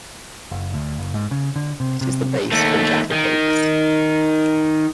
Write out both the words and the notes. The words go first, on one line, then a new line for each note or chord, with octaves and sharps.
It is the base for Jaffa Cakes.
F#1
D2
F#1
G#2
C#3
D3
C3
C3
D#2 A3
D#3